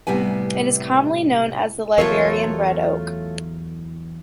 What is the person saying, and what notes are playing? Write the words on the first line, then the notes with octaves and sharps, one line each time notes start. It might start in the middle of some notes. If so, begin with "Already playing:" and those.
It is commonly known as the Liberian red oak.
A2 C3 G3 B3 G#5
E2 F#3 A3 F4 A#4 C#5